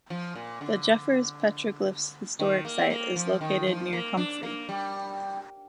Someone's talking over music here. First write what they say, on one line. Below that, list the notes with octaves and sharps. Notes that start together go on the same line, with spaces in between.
The Jeffers Petroglyphs Historic Site is located near Comfrey.
F3
A#2
D3
D#3
A#3
C4
A#3
F3
D#3
F3
A#3
D4
A#3
G3